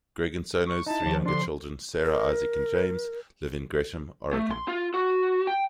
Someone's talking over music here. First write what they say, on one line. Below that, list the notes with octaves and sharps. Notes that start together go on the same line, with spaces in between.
Gregg and Sono's three younger children Sarah, Isaac, and James live in Gresham, Oregon.
C#6
D#4 E4 A5
D#2 F3
D3 D4 C6
A#4
A3
C6
F4
F#4
G5